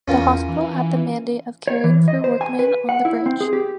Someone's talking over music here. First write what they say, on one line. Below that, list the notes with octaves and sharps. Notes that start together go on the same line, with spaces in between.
The hospital had the mandate of caring for workmen on the bridge.
E2 C#4 F4 A#4
E3
C#5
E3
D#5
C5
G#5
B4
F#5
E4
C4
G#4
G4